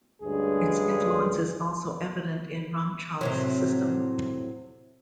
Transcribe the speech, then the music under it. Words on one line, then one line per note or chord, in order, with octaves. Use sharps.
Its influence is also evident in Ramchal's system.
D2 G2 G#3 C#4 G#4
A2 C3 F#3